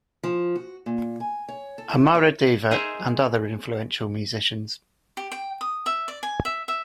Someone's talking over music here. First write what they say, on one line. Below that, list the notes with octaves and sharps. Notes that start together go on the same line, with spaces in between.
Amaradeva, and other influential musicians.
F3
F#4
A#2
G#5
C#5
A4
E4
C#5
D#4 G#4 A#4 C5 E5
G4
G5
D#6
E5
D5
G#5
E5
E5